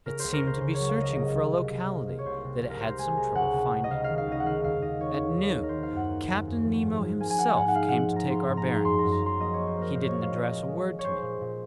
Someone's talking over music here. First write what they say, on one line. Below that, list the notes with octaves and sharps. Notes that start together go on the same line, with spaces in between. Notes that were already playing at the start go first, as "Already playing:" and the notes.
It seemed to be searching for a locality that it had some trouble finding. At noon Captain Nemo himself came to take our bearings. He didn't address a word to me.
C#3 A#4
C#2 C5
A#4
C#2 C5
C#3 C5
C#5
F#3
F5
C#2 D#5
C2 D#5
C2
C3
C2
A#3
A#3
C#5
C2 C5
C3
C2
A#4
C3 C5
G#3 G#5
G#3 A#5
C#2 F#5
C3
C#2
D#5
C#2 F5
D#3 F5
F5
C#2 D#5
F#5
D#3 F5
D#2 F5
D#2 D#5
D#3 C#5
D#2
D#2
A#3
A#4
D#3 C5
F5
F#2 F#5
A#3
F#2
F#2
F3
G#2
F3
A#3 G#5
G#5
A#3 F#5
G#2 F#5
F#5
G#3 F5
F3 F#5
G#2 A#5
G#2 C6
G#2
A#5
G#3
F#2 C6
F#2 A#5
A#5
F3 C6
A#3 D#5
A#3 C#5
C5
A#3 A#4
A#2 C5
C#5
D#5
A#2
F5
A#2 D#5
G#3
G#3
G#3
C#5
G#3 C5
A#2
A#2